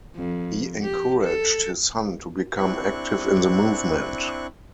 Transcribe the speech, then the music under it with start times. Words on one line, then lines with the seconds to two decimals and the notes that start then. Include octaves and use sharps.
He encouraged his son to become active in the movement.
0.16 F2
0.82 G4
1.23 A4
2.57 C4 D4 E4 C#6 F#6